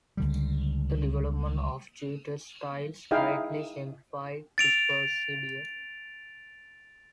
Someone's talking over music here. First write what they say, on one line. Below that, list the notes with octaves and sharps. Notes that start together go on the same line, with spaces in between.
The development of geotextiles greatly simplified this procedure.
C#2 D3 G3
D#4 E4 G#4 E5 F5 G5
A6 D7 F7